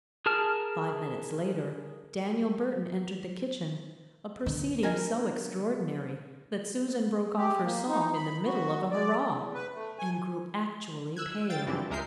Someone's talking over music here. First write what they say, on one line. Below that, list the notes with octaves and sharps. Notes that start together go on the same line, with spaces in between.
Five minutes later Daniel Burton entered the kitchen--a proceeding so extraordinary that Susan broke off her song in the middle of a "Hurrah" and grew actually pale.
G#4 A#4 A5 F6
D3
A#4 D#5 G#5
G4
A#3
D#4
B5
F#4
D5
E2
B4
A3
G#5
E6 F#6 G#6
F5 G5 A6
F#2 E3 F3 G3 C4 D4
C#2 G#3 A#4 E5 G6 C7